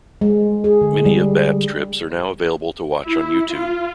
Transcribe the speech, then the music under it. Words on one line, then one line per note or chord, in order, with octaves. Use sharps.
Many of Babbs's trips are now available to watch on YouTube.
G#3
G#4
D3
G3
E4
F4